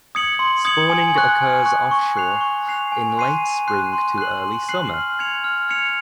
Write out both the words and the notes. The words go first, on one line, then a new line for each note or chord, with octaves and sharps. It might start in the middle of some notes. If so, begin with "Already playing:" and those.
Spawning occurs offshore, in late spring to early summer.
D#6 G#6 C#7 F#7
C6
D#6 G#6 C#7 F#7
G#5
C#6 F#6
G#5
C#6 F#6
C#6
F#6 C7 F7
C#6
F#6 C7 F7
G#5
C6 F#6 C7 D#7
G#5
C6 F#6 C7 D#7
C6
F#6 C7 F#7
C6
F#6 C7 F#7
F6
G#6 C#7 F7
F6
G#6 C#7 F7